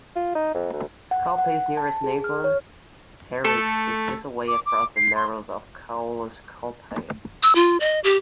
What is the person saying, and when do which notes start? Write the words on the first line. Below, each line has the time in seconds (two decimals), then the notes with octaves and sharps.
Scalpay's nearest neighbour, Harris, is just away across the narrows of Caolas Scalpaigh.
0.16 F4
0.35 D#4
0.55 F2
0.73 D2
1.11 F#5
1.38 F#5
1.77 A5
2.04 G#4
2.24 F6
2.44 C#5
3.45 A3 A4
4.48 D6
4.66 D6
4.96 C7
5.15 C6
7.43 E6
7.55 F4
7.80 D#5
8.04 G4